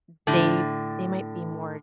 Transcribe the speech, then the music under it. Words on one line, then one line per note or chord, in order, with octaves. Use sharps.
m they they might be more
A2 D3